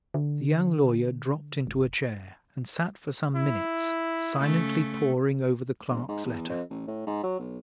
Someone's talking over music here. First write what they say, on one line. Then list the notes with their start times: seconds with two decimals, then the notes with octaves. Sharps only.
The young lawyer dropped into a chair, and sat for some minutes silently poring over the clerk's letter.
0.14 D3
1.67 F#1
3.36 E4
4.37 C#3 A3
5.90 E1
6.09 G#2
6.25 E2
6.49 F2
6.70 A1
6.88 A2
7.07 G#2
7.23 F#3
7.39 B1